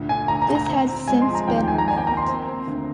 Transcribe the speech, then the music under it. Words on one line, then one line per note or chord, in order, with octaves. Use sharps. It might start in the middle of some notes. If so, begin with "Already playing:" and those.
This has since been removed.
Already playing: D2 A#2
D3 G#5
D2 A#5
A#5
D2
A#5
C4
C4
G#3 G#5
C6
F3
A#5
D#2 G5
G5
D#3 G#5
A#5
A#3 G#5
G5
A#3 A#5
C6
C4
C4
D2